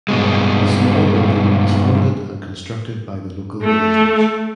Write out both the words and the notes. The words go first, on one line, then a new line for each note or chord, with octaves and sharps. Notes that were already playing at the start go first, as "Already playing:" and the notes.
The small building was funded and constructed by the local villagers.
G2 B2 G#3
A3